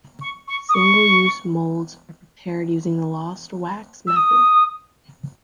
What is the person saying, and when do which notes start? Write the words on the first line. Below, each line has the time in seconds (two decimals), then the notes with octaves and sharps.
Single use molds are prepared using the lost wax method.
0.21 C#6
0.48 C#6
0.69 D#6
0.74 C#6
4.07 E6
4.16 D#6